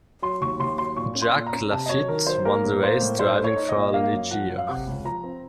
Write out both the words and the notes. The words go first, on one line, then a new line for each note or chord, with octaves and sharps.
Jacques Laffite won the race driving for Ligier.
F#3 C6
D#2 C#6
D#2 C6
F#3 C6
A#2 C#6
C#4
C6
A#2
A#5
C#4
C3 A5
D#5
F#3 C#5
D#3 A#4
F#3 C5
A#3 A#4
A2
A#3 C5
A2
D#4 C5
A3
C#5
D#4
D#5
A#2
A#3 F5
F#2
F3 F#5
F#2
F5
C3 F#5
C#2
F3 A#5
C4